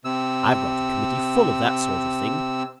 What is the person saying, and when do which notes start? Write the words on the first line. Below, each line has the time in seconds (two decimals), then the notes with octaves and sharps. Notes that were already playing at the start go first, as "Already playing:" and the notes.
I've got a Committee full of that sort of thing.
0.05 C3 E6